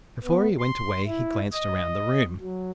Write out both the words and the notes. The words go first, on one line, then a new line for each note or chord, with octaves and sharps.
Before he went away, he glanced around the room.
B3
C6
E4
D#5
F#3